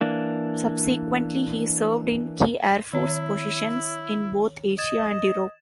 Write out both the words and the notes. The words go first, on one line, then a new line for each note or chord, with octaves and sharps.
Subsequently, he served in key Air Force positions in both Asia and Europe.
E3 A#3 D4
D#3 E4 C#5
D#5 G#6 A6 E7